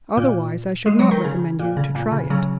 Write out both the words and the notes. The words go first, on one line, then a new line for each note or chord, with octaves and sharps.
Otherwise I should not recommend you to try it.
A#2
G#3
F#3
D#3
C#3
A#2
C#3
A#2
C#3
C#3 F#3